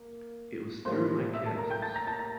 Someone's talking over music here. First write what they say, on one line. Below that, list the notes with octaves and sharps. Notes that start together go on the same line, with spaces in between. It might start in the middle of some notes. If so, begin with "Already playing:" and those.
It was through my carelessness.
Already playing: A#3
A2 G3 A#3 C5 C6
E5 E6
A4 A5
A#4 A#5
G5 G6
A5 A6
A#5 A#6
A5 A6
A#5 A#6